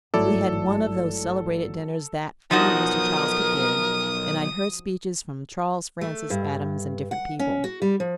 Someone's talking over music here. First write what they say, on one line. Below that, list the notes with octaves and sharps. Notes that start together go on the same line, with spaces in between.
We had one of those celebrated dinners that only Mr. Childs could give, and I heard speeches from Charles Francis Adams and different people.
G#1 G2 F#3 A3 E4 A4 D5
B1 F3 D#4 F#4 A#4 D#6
A3
G2
F#5
C#4
F#4
G3
F3